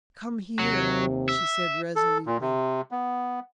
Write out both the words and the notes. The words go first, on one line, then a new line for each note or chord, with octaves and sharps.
"Come here," she said resolutely.
D#2 C3 F#3
E5
A4
A#2
C3
B3